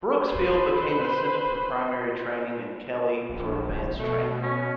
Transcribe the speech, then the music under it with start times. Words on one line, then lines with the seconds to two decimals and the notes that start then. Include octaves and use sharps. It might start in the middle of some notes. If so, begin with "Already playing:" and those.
Brooks Field became the center for primary training and Kelly for advanced training.
0.24 B4 C5
3.30 A#1
3.98 B2 A3
4.43 C#4